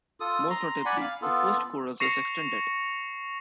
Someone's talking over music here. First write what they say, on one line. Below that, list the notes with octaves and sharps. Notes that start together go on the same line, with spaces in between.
Most notably, the first chorus is extended.
F4 A4 D#6
A#5 C6
D5 F#5 G#5 B5
F5
B3 F4 A4
C#6 A#6 C7 C#7 F7